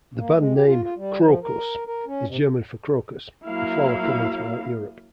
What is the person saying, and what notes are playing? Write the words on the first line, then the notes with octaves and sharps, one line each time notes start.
The band name "Krokus" is German for crocus, a flower common throughout Europe.
A#3
G#3
G4
F4
F4
G3
F3
A#4
A#4
C#4
C3
F#3 A#3 E4 F5